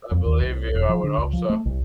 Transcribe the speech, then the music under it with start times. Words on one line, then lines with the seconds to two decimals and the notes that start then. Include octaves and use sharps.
I believe you, I would hope so.
0.11 F2
0.26 D#2
0.41 C2
0.74 E1
0.89 F3
1.04 D3
1.18 C#2
1.33 F3
1.50 A3
1.66 C2